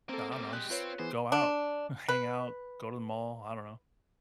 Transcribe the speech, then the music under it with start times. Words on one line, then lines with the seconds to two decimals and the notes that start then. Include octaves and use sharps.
I don't know, I just go out, hang out, go to the mall, I don't know.
0.09 A#3 C4 A4
0.32 G3 A#3
0.53 G#3 G4 F#6
0.70 C4 F4 B4 C#5
0.99 E3 B3 G#4 C5
1.32 D4
2.08 B4